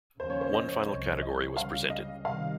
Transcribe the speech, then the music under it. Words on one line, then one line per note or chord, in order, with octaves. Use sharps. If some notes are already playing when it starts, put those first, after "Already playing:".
One final category was presented.
D#2 C#3 F3 A#3 C#4 C5
C#5
C5
D#5
C2 C3 F3 C#5
D#5
C#2 C#3 G3 F5
D#5
C3 D#3 G3 F5